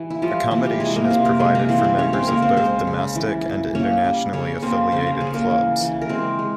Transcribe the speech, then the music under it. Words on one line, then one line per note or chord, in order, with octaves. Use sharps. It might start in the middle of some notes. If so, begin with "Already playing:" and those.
Accommodation is provided for members of both domestic and internationally affiliated clubs.
Already playing: E3 G4
E4
F3 G3 F4
E3 A#3 E4
G3 G4
C3 G#3 G#4
A#3 A#4
C3 C4 C5
A#3 A#4
C3 G#3 G#4
A#3 A#4
E3 C4 C5
C4 C5
G#3 C#4 C#5
C4 C5
C#3 A#3 A#4
C4 C5
G#3 C4 C5
C#3
E3
E3
A#3 C#4 C#5
G3
C#3 C#4 C#5
A#3 C4 C5
C#3 C5
A#4
C#3 G#4
A#3 A#4
E3
E3
A#4
G#3 C4 C5
G#3